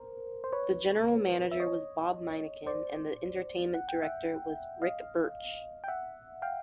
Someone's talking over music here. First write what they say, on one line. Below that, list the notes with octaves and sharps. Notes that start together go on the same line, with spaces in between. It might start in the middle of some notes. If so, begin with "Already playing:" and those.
The General Manager was Bob Miniken and the Entertainment Director was Ric Birch.
Already playing: A#4 C5
C5
B4 C#5
E5
C#5 D#5
C5 D5
F#5
G5
E5 F#5
D#5 F5
G5
E5 F#5
F5 G5